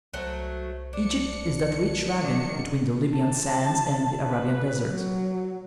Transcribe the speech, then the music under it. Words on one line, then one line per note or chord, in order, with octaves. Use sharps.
Egypt is that rich ravine between the Libyan sands and the Arabian desert.
C2 F#3 A3 C5
D4 C#7
D#3 F#3 D4
A5
B4
F#3